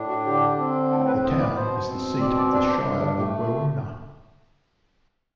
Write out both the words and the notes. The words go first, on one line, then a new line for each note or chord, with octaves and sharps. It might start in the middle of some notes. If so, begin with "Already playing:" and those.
The town is the seat of the Shire of Waroona.
Already playing: A2 D4
F#4
D3 G4
C4
A2 A4
B4
B3 C5
D5
B2 C5
C4
B2 D5
D5
D4 D5
C5
G2
A3 G4